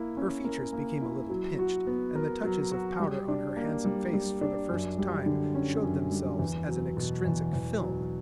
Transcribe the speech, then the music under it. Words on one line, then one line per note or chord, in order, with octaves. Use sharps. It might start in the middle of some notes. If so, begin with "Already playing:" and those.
Her features became a little pinched, and the touches of powder on her handsome face for the first time showed themselves as an extrinsic film.
Already playing: A#3 E4
C#4
A#4
A#3
E4
F#3
F#4
B3
A#4
F#3
F#4
G3
D4
A#3
G3
G3
D4
F#2
G3
D3
C#4
F#2
G3
E2
F#3
B2
E2
E2
F#3